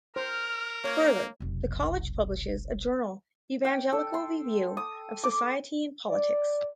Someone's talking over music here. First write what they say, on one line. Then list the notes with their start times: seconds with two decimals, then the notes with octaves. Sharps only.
Further, the college publishes a journal Evangelical Review of Society and Politics.
0.16 A#4 C5 F6
0.84 A#3 C#5
1.40 F1 B1
3.65 G5
3.92 A4
4.14 C6
4.77 D#6
5.24 D6
6.09 D5